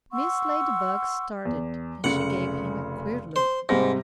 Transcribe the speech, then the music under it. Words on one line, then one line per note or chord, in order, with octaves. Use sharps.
Mrs. Ladybug started; and she gave him a queer look.
F#5 C6 C#6 E6
E2
F1 C#3 F#5 C#7
C5
G#2 C3 G3 A#6